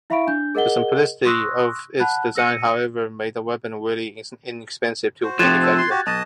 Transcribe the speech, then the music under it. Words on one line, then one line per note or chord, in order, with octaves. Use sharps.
The simplicity of its design however, made the weapon very inexpensive to manufacture.
E4 E5 F5 B5 C#6 D7
D4 G6
G#4 A#4 D#5 F#5 G7
C6 C#6 D#6 E6 F#6 A#6
F#5 A5 B5 F#6
E6 A#6 C#7 D#7
F#4 C5
C3 F3 F#6 G#6 A6
A4 C5
C6
F#4 G4
B1 D#5 A5 D#6